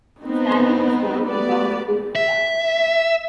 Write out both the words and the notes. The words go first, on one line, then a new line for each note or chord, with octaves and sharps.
Staley was born in Bountiful, Utah.
B3 C4 D#4
A3 B3 G4 B4 D5
E5